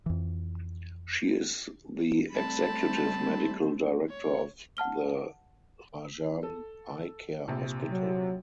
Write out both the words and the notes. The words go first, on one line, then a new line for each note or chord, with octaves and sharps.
She is the executive medical director of the Rajan Eye Care Hospital.
F2 E3
G3 A3 C4 A5 B5
C#5
F#5 A5 F6 G7
A4
A#1 C3
F#3